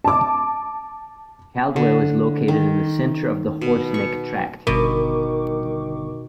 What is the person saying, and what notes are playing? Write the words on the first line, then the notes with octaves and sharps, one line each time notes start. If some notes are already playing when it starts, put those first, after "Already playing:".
Caldwell is located in the center of the Horse Neck Tract.
A5 D6
D3
D#3
B2
C#6
G1 B2 D#3 A#4 C#6 D6